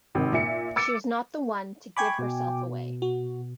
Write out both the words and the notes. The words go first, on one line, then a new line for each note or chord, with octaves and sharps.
She was not the one to give herself away.
G#1 C3 D#3
A#2 E5 C#7
D6 E6 A6 C#7 D7
G5 G#5 B5 C#6 D6 G#6
B2
F#4